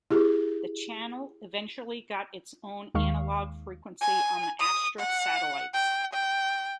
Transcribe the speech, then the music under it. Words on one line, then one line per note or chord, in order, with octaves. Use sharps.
The channel eventually got its own analogue frequency on the Astra satellites.
E4 G4 G#4
D#2 D#3 G#3 F5 C#6
G#5
D#6
F#5
G5
G5